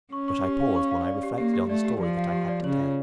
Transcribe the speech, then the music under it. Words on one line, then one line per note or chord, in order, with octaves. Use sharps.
But I paused when I reflected on the story that I had to tell.
C#4 C#6
C#6
G4
F5
C#6
F5
D5
G4
A#3 G4
G4
A3 D5
G4
F3 D5
F5
G4
D5
C#3 C#5
F4